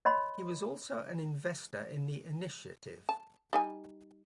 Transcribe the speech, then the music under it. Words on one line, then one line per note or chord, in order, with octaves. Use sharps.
He was also an investor in the initiative.
C#5 D#5 B5 C6
A5
G3 D#4 G#5